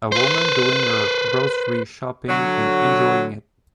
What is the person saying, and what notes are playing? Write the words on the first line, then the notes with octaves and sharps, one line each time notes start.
A woman doing her grocery shopping and enjoying it.
B4 C5
D3 F#3